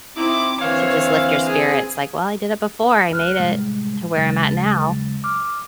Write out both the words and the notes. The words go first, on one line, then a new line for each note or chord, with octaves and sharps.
to just lift your spirits like, "Well, I did it before. I made it to where I'm at now."
C4 D#4 E4 D6
D3 E3 A#3 C4 C#5 F5
G#4
C#2 F6 F#6
A2 C3 G3 G#3
D#2 C#3 F#3 G#3 A6 A#6
D6 F6